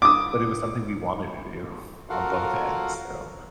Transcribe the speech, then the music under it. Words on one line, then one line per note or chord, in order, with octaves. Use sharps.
but it was something we wanted to do on both ends, so
D6 D#6
F4 F#4 A4 A#4 F5 F#5